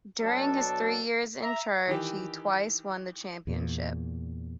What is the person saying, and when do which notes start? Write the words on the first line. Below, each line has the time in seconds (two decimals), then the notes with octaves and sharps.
During his three years in charge, he twice won the championship.
0.21 B2 F#3 D4 A4 A5
1.41 E5 A#5
1.88 D#3 E3 G4
3.47 E2 A#2